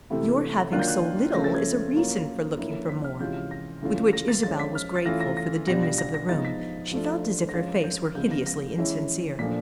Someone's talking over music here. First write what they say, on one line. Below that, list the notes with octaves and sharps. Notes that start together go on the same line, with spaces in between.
"Your having so little is a reason for looking for more." With which Isabel was grateful for the dimness of the room; she felt as if her face were hideously insincere.
C3 E3 A3 C4 E4
D#3 F#3 A#3 D4 F4 F#6
G6
F#6
C#3 F3 A3 C#4 F4 A#6
A6
G#6
F#3 A#3 C#4 F4
D3 F3 A#3 C#4 E4
B6
F6
C3 E3 G#3 C#4 F4 G6
A#6
C#3 E3 A3 C#4 F4
A#6
A6
F3 G#3 C#4 A6
B6
F6
A6
E3 A3 C#4 F4 A#6
A#6
A#6
B2 G3 B3 D4 F4 A#6
A#6
A#6
A#6
F3 G#3 B3 D#4 A6
B6
F3 A3 D4 F4
A#6
F3 G#3 C#4 F4 A6
G6
F6
C#3 F3 G#3 B3 G6
A#6
A#6
E3 G#3 C#4 E4
A#2 F3 A3 D4 B6